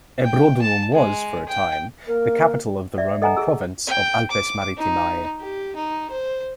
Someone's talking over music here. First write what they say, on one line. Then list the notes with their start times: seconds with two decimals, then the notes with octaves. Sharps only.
Ebrodunum was, for a time, the capital of the Roman province of "Alpes Maritimae".
0.25 G5
0.62 A5
0.94 G#3
1.49 G5
2.07 A#3 A#4
2.98 D5 E5
3.22 A4 D#5 F#5 G#5 A#5
3.37 G#4 E6
3.87 G5
4.31 D6
4.77 D#4
5.39 G4
5.75 D#4
6.10 C5